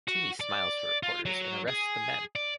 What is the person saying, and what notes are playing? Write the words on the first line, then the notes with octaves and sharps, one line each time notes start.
Toomey smiles for reporters and arrests the men.
F#4
D5
F4
F#3
G#4
D5